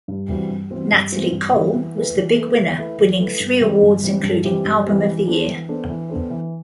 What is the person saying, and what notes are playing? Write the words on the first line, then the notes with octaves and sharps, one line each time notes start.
Natalie Cole was the big winner winning three awards including Album of the Year.
G2
E3 G3 C4 F#4
G2
E3 G3 C4 F#4
G2
E3 G3 C4 F#4
G2
E3 G3 C4 F#4
E3
A3 E4 B4
E3
A3 E4 B4
E3
A3 E4 B4
E3
A3 E4 B4
G2
E3 G3 C4 G4
G2
E3 G3 C4 G4
G2
E3 G3 C4 G4
G2
E3 G3 C4 G4
E3
B3 D4 A4 C5
E3
B3 D4 A4 C5
E3
B3 D4 A4 C5
E3